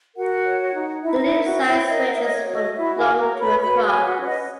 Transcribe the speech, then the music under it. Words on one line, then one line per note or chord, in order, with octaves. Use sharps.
The leave size ranges from long to across.
F#4 A#4 F#5
C#5
D#4
D#4 E4 E5
E4 E5
A#4
F#4 F#5
C#5
E4 E5
A#4 D#5
F#5
C#5 E5
D#5
C#5
F#4 C#5
D#5
E4 F#4 E5
G#4 G#5
A#4
A#4 A#5
C#5
B4 B5
F#4 B4 B5
G#4 G#5
B4
F#4 F#5
C#4 C#5
D#5